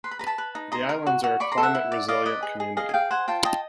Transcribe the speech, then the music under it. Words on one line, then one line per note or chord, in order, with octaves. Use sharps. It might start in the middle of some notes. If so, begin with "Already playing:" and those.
The islands are a Climate resilient community.
B4 C6
B5
B4 A#5
A5 B5
B4
D#4
D#5 A#5 C6
A#4
F#4
F#4
D5 B5 C#6
A#5 C6
A4
E5 F#5
E4
D5
D5 D#5 F5
B4 D#5
G#4
G#4
G#4 D#5 F5
G#5
G#4 F5 G5
C5 F#5 G#5
F4 G5 A5
D#5 G5 A5